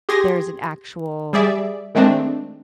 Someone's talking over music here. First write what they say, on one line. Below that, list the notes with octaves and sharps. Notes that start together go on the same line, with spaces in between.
there's an actual
G4 G#4 C6 G#6 A#6
G3 G#4 D5 E5
D#3 G#3 A3 C4 D4